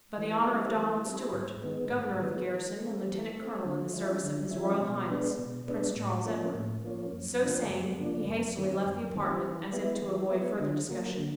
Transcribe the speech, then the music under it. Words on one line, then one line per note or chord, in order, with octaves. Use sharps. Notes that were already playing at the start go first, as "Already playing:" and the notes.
'By the honour of Donald Stewart, governor of the garrison, and lieutenant-colonel in the service of his Royal Highness Prince Charles Edward.' So saying, he hastily left the apartment, as if to avoid further discussion.
E3
G3 C4 E4
E3
G3 C4 E4
G#2
D#3 G#3 B3
G#2
D#3 G#3 B3
E3
A3 C4
E3
A3 C4
D3
F3 G#3 C#4 E4
D3
F3 G#3 C#4 E4
B2
G#3 B3 D4
B2
G#3 B3 D4
A2
F3 A#3 C#4
A2
F3 A#3 C#4
F#2
C#3 F3 A#3 D4
F#2
C#3 F3 A#3 D4
F#2
D#3 G3 C4
F#2
D#3 G3 C4
E3
G#3 B3 E4
E3
G#3 B3 E4
D3
F#3 A#3
D3